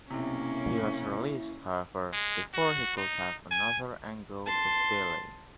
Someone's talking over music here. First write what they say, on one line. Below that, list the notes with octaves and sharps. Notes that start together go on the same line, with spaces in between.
He was released, however, before he could have another angle with Billy.
B1 C3 A#3 C#4 E4
G#3
F#4
D#4
G#5
A5 C6